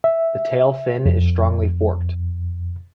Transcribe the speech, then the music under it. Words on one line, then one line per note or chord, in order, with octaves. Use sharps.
The tail fin is strongly forked.
E5
F2